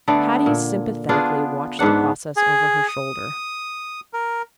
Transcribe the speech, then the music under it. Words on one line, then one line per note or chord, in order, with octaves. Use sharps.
Patty sympathetically watched the process over her shoulder.
D3 A3 B3 D5
A#2
B3 D4 F4 G#4
G#2 B3 D4 F#5
G#4
D#6
A#4